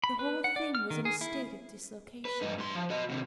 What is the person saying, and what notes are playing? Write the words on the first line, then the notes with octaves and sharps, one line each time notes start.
The whole thing was in a state of dislocation.
B5
B4
F#5
D5
F6
D#3
G#4
E4
B4
G2 D#4
G2 C6
F3
F#4 D#5
D#2 C3